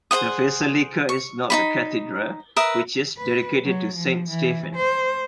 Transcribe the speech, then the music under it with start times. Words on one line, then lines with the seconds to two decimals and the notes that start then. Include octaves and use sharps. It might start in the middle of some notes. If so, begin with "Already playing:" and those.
The basilica is not the cathedral, which is dedicated to Saint Stephen.
0.11 G#4 C5 F#5 D#6
1.09 C#6
1.50 D#4 F#4 B5
2.56 A#4 B4 E5 D#6
3.18 B4
3.65 F#3
3.96 F3
4.29 E3
4.76 C5